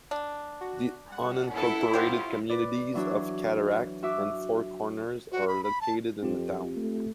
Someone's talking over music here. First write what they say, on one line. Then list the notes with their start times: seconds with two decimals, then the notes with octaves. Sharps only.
The unincorporated communities of Cataract and Four Corners are located in the town.
0.11 D4
0.61 F#4
1.12 F#5
1.56 E4 A4
1.93 F#3 F4 G4 C5 C#5
2.49 B4 D5
2.94 E3 F#3 D4 F#4
4.03 F#4 E5 D6
5.32 F#4
5.48 B5
5.64 B5
5.81 A5
6.23 F2 C4 F4 G4
6.76 A3